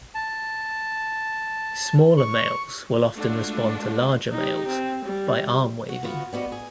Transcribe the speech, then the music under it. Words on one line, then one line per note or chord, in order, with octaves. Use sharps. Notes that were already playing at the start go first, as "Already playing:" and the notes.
Smaller males will often respond to larger males by arm waving.
A5
C#6
G#3 A3 D4 F4 F#4
D#4 G4
C4
G3
F#4
B3 F4 F#4
G3 B3 F#4 D#5
G#4